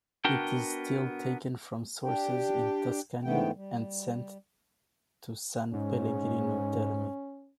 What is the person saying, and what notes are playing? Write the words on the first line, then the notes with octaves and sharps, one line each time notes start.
It is still taken from sources in Tuscany and sent to San Pellegrino Terme.
B3 D4 F#4 A#4 G5
D4 G4 G5
G#2 D3 E3 A3 B3 G5
G3
G#2 C#4